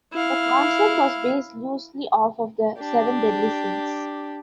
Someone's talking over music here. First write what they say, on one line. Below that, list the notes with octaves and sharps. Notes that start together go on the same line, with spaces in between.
The concept was based loosely off of The Seven Deadly Sins.
E4 F5
D4 G4